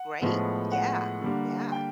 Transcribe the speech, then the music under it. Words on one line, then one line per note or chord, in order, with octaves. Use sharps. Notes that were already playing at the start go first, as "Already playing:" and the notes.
Great. Yeah. Yeah.
Already playing: F#5
A2 F3 G#3 B3
F#5
D3 G3 A#3
G5